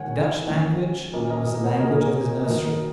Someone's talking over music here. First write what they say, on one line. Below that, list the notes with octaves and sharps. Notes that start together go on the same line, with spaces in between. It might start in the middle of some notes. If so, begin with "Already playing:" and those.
The Dutch language was the language of his nursery.
Already playing: D#3 G#3 C#4 C#5 F#5
D#3 G#3 C#4
A#2 F#3 A#3 C#4 A#4 D#5
A#4 D#5
A#4 D#5
C#5 F#5
A#2 F#3 A#3 C#4 A#4 D#5
A#4
C#5
D#3 F#3 A#3 A#4 D#5